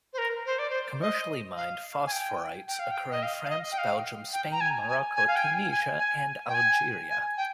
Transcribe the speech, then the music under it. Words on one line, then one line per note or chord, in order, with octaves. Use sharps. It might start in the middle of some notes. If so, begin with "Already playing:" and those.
Commercially mined phosphorites occur in France, Belgium, Spain, Morocco, Tunisia and Algeria.
C5
A#4
C5
D5
C5
D#5
F5
G#5
G5
G5
F5
G5
D#5
F5
F5
D#5
G5
F5
G5
A#5
G#5
G#5
G#5
F5
G5
G#5
G#5
G#5
G5
G#5
G#5
G5